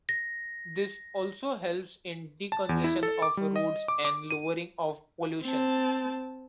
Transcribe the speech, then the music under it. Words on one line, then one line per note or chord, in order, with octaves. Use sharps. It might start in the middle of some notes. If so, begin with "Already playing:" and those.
This also helps in decongestion of roads and lowering of pollution.
A#6
A5
E2
E4
A4
D6
G3
D#5
D6
D6
D#7
C4 A5